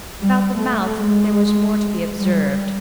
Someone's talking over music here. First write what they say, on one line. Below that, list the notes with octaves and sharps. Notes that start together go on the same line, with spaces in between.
About the mouth there was more to be observed.
G3
A3
G#3
G3